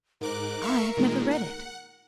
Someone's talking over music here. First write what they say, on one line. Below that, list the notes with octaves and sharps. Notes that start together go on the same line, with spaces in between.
"I have never read it."
G#2 A#4 D6 F#6
E5 F5 C#6
A#2 D#3 G#3
F#5